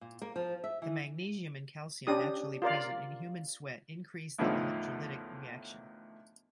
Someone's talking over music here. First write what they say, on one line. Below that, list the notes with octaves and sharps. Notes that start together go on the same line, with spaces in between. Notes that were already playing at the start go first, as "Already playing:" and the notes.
The magnesium and calcium naturally present in human sweat increase the electrolytic reaction.
A#2
A#3
F3
E5
E3
C#4 D4 G4 D#6
F4 A#4 D5 F5
E2 A2 D3 D#3 F3